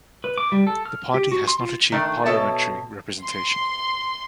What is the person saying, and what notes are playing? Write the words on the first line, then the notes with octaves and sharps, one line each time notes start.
The party has not achieved parliamentary representation.
B4
D6
G3
A4
F6
G4
F#4
C6
F4
D#3 A3 D4
B2 A4 C#5 E5 A5
C6